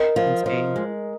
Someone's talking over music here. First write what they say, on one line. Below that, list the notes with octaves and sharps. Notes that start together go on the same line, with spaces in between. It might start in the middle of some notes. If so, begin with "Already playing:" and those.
in Spain?
Already playing: A#4 D#5
F3
F3
G#3